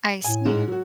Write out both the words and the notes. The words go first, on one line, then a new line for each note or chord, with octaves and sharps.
I see.
A2 G#5
G#2 G#3
F#3 F#4